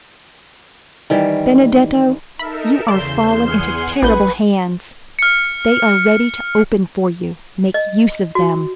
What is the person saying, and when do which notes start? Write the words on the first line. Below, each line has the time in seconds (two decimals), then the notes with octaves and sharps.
Benedetto, you are fallen into terrible hands; they are ready to open for you--make use of them.
1.10 D#3 E3 G3
2.39 D#4 A4 A#4 E5 B5
2.88 E2 C#3 D5 C6 G6 E7
3.48 G#4 F#5 G#5 F6
4.02 A1 B4 G6
5.19 F6 C#7
7.74 D#5
8.35 F#4